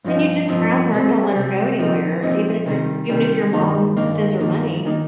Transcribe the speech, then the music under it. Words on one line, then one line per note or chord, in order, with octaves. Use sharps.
And you just ground her and don't let her go anywhere. Even if your even if your mom sends her money,
G2 F3 C4 D#4
G2 F3 C4 D#4
C2 C3 G3 C4
C2 C3 G3 C4
A#2 F3 C4 D#4
A#2 F3 C4 D#4
C3 D#3 G3
C3 D#3 G3
G2 D#3 A#3 D#4
G2 D#3 A#3 D#4
G2 D#3 A#3 D#4
D#3 A#3 D#4